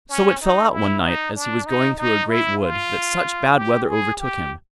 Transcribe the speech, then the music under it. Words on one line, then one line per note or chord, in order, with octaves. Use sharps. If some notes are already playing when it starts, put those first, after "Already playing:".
So it fell out one night as he was going through a great wood that such bad weather overtook him.
C#4
D#4
E4
D#4
D4
D#4
D#4
E4
F4
G4
G#4
G4